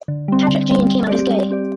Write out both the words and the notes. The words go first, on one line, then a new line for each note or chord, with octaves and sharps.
Patrik Jean came out as gay.
D3
G3 C4
D3
G3 C4
G3
C4 G4 D5
G3
C4 G4 D5